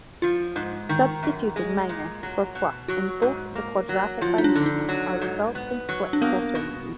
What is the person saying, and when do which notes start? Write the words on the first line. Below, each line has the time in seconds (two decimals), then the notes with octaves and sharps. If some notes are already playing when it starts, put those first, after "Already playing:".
Substituting minus for plus in "both" the quadratic binomials also results in split-quaternions.
0.22 F3 F4
0.56 G#2
0.89 D#3
1.23 F#2
1.56 G#3
1.89 A#2
2.23 F#3
2.55 B2
2.88 F#3 F#4
3.22 G#2
3.55 A#3
3.89 F#3
4.21 F3 F4
4.38 D#4
4.44 D4
4.55 D3
4.66 D#4
4.89 F#3
5.21 G#2
5.55 B3
5.89 F#3
6.13 D4
6.21 A#3 B3
6.55 B2